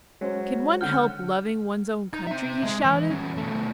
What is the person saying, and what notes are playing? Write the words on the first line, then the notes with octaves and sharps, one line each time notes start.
"Can one help loving one's own country?" he shouted.
F#3 G#3 C#4 C5
D3 F#5 F6 G6
D#4
C4 E5
G#3
E3
G3 C#4
B2 A3